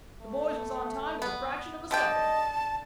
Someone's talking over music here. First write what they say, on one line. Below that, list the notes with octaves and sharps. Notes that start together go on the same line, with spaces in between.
The boys was on time to the fraction of a second.
A3
B3
D3 G4 D#5 G5 A5